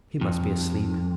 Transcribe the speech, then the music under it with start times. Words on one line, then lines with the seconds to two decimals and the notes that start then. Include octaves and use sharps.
He must be asleep.
0.21 F2